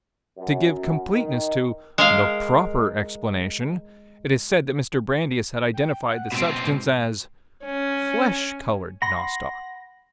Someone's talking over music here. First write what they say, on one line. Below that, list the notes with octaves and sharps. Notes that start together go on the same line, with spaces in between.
To give completeness to "the proper explanation," it is said that Mr. Brandeis had identified the substance as "flesh-colored" nostoc.
F#2
D#3
G#3 A#4 F5
G5
F#5
G#2 B2 C4
G#2
C#4
F#5 B5 C6 A#6